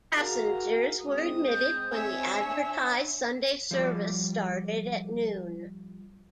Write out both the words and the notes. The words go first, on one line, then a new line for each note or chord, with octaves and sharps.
Passengers were admitted when the advertised Sunday service started at noon.
F#4 G#4 A#4 F5 A#5
G#3 C4 D#6
G6
C#5 E5 G#5
D4
F3 G3 D5